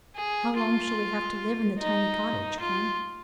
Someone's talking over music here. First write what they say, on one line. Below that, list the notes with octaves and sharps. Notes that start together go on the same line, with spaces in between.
"How long shall we have to live in the tiny cottage, Clym?"
G#4
F4
D#4
F4